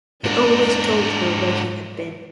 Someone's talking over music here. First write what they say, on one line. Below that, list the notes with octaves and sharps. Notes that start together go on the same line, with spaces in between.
He always told her where he had been.
G#2 D4